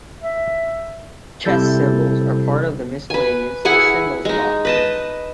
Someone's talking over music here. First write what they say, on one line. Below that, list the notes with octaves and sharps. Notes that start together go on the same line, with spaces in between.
Chess symbols are part of the Miscellaneous Symbols block.
E5
C3 G3 E4 A4 G6 A6
B4 G#5
E4 G#4 F#5 G#5
G#3 D#4
B4 D#5 A5